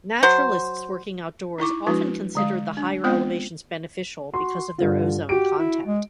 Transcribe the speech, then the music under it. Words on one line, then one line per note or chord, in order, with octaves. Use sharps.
Naturalists working outdoors often considered the higher elevations beneficial because of their ozone content.
F#3 C5
D#4 E4 C#6 D6
F3 G#3 D4 E4 F#4 B4
D3 G#3 F5
D4
G#3 B3 C4 F4 C5 G5
F#4 C6
G2 D3 F4
F#4 G4 D7
E4
G#3